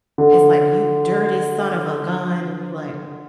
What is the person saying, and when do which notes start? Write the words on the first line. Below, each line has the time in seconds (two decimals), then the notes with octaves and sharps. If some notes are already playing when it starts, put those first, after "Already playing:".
it's like, "You dirty son of a gun," and you're like,
0.18 D3